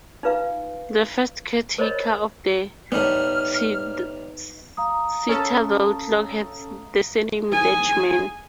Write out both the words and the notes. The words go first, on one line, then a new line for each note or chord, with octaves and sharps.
The first caretaker of the Citadel Clock had the surname Dechman.
D#4 F4 B4 F5
A#4 C5 C#5 D#5 B5
A2 G3 B3 D#4 F6
F5 A#5 D#6
C#4 A4
G#4 G#5